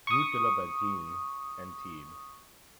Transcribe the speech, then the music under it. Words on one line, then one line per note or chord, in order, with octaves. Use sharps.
Route de la Badine, Antibes.
C#6 D#6